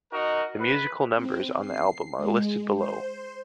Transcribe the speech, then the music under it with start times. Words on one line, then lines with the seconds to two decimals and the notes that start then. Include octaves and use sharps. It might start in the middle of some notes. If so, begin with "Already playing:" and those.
The musical numbers on the album are listed below.
0.12 D#4 F#4 A#4 D#5
0.60 B4
1.15 C4
1.59 C7
2.17 G#3
2.75 C5